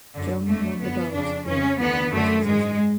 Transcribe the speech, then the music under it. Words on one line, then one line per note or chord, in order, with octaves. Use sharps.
Jung won the bout via unanimous decision.
F#2 D3
F2 D3 A3
F#2 D3 B3
F2 C#3 D4
F2 C#3 C#4
D2 D3 B3
F#2 D3 A3
G#2 G#3